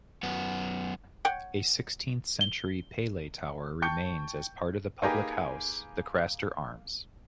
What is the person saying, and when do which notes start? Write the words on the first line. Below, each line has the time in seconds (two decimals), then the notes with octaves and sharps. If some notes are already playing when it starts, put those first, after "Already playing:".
A sixteenth-century pele tower remains as part of the public house, "The Craster Arms".
0.23 F#2 B3
1.25 C#5 F#5 G5
2.41 G7
3.82 G5 A5 C#6 G6 C#7
5.02 A#3 D#4 G4 G#4 B4 A#5